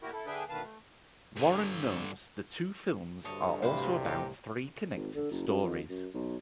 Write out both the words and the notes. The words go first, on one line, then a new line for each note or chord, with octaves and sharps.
Warren notes The two films are also about three connected stories.
A#2 E4 F#4 G4 A#4
E4 A4
D3 D4 G#4 B4 E5 G5
D2 B2 D#3 B4 F5 A5
A3
G2 D3
D2 G2 C#5 D#5 A5
C2 A2 C3 B4 C5 F5
D#4 G4
G#1
D3
F#1
F#2
F2
F#2
B1